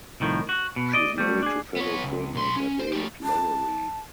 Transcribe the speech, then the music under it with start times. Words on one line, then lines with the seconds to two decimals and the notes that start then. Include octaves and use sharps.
She is married to fellow filmmaker David Lowery.
0.20 C2 A2 D#3 F3
0.49 F#4
0.76 B2
0.93 D5 D#5
1.18 G3 A3
1.43 D4 G#4
1.77 B3 C#5
2.04 C#2
2.35 B1 C6
2.56 C#4
2.80 C5
2.93 A3 G4
3.24 A5